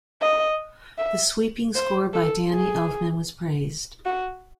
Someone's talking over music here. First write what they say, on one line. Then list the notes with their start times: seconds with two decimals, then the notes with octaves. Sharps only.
The sweeping score by Danny Elfman was praised.
0.21 D#5
0.98 E5
1.75 C5
2.13 A4
2.51 G#4
4.05 F#4